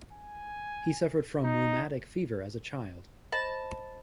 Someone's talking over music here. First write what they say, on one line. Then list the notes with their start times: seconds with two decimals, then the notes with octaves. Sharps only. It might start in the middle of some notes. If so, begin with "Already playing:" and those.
He suffered from rhuematic fever as a child.
0.13 G#5
1.44 D#4
3.32 C5 D#5 A5 B5